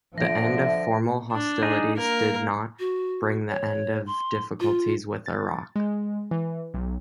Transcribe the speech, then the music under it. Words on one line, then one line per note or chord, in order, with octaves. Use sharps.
The end of formal hostilities did not bring the end of difficulties with Iraq.
D3 F3 E5 A#6 D7
D4
D#4 G#4
A#3 A#4
F#4
C#5
C6
F4
A6
G#3
E3
B1